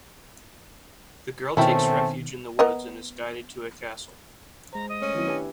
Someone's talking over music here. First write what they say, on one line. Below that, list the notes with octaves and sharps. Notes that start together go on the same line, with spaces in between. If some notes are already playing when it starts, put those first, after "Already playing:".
The girl takes refuge in the woods and is guided to a castle.
B2 D#3 A3 C4 C#4 E4 G5
B3 A#4 D#5
G#3 C5 A#5
D#5
A3 C#4
D#3 F#3 B3 C4 E4 F4
D4 G4 B4 E5 G#5